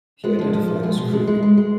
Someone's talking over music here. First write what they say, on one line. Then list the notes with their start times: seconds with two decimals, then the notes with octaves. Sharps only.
He identified as Creek.
0.24 G#3 B3
0.39 F3
0.54 F3
0.68 A#2
0.83 G#3 B3
0.98 B2
1.13 G#3
1.27 G#3
1.43 G#3
1.57 G#3